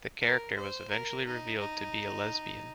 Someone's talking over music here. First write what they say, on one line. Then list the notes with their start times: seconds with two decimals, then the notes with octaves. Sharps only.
The character was eventually revealed to be a lesbian.
0.21 A#4
0.56 C5
0.91 A#4
1.26 D#4
1.59 D#4